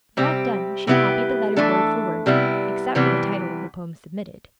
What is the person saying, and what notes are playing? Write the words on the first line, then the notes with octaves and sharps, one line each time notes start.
That done, she copied the letter, word for word--except for the title of the poem submitted.
C3 G3 C4 G4
C3 G3 B3 E4 G4
E3 A3 D4 A4
C3 G3 B3 E4
C3 E3 G3 B3